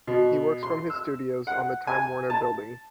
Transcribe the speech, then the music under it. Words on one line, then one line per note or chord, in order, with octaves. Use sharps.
He works from his studios on the Time Warner Building.
B2
C6
E6
F#5
G#5
A5